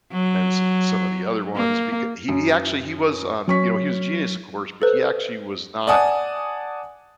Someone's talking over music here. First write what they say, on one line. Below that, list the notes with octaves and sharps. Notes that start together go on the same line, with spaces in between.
and s some of the other ones, beca he he actually he was, um you know, he was genius, of course, but he actually was not
F#3
A#3
F#2
F#3 C#4 C#6 B6
A4 B4 C5
D5 F#5 G#5 A5 D#6